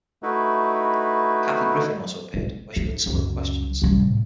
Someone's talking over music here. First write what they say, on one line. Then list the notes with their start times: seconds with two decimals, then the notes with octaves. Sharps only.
Kathy Griffin also appeared, where she read some of the questions.
0.23 A3 D#4 E4 F#4 B4
2.34 G#3
2.76 D#4
3.06 C#2 F#2
3.82 C3 G3
3.99 A2